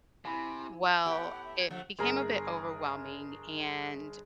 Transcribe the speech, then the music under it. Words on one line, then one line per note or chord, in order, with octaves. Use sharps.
Well, it became a bit overwhelming and
C3 E4 G#5 B5
A2 B3 G4 F#5
E5
G#6
D3 F3 A3 F#5
G1 G#4 A#4 A#5